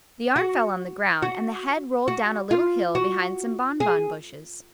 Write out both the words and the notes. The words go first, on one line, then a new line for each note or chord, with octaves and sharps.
The arm fell on the ground and the head rolled down a little hill behind some bonbon bushes.
F#4
F#4
F#4
F4
F#4
G#4